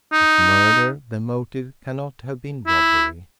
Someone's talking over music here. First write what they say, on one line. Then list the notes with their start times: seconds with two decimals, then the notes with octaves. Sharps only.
If murder the motive cannot have been robbery.
0.13 D#4
2.67 E4